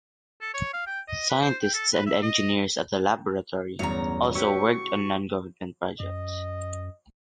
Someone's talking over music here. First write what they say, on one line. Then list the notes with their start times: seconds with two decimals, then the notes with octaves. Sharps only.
Scientists and engineers at the Laboratory also worked on non-government projects.
0.41 A4
0.54 C#5
0.73 F5
0.87 G5
1.08 D#5
1.30 B4
1.42 C5
1.62 G5
1.74 A4
1.93 B4
2.06 E5
2.22 D#5
3.79 G1 E2 A2 C#3 F#3 C#5 A#5
4.35 E4 F#4 G4 B4 C#6
6.00 F#2 D#5